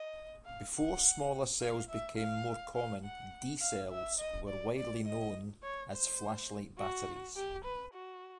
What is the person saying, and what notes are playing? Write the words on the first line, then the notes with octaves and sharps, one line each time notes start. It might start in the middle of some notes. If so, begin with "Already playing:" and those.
Before smaller cells became more common, D cells were widely known as flashlight batteries.
Already playing: D#5
F5
F#5
F5
E5
F5
F5
F#5
F5
E5
D#5
D5
D5
D#5
C#5
C5
F#4
G4
B4
F#4